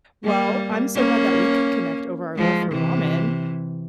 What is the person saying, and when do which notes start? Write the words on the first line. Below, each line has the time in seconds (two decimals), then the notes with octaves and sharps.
Well, I'm so glad that we could connect over our love for ramen.
0.24 G3 A#3
0.95 A#3 C#4
2.36 F3 G#3
2.72 C3 E3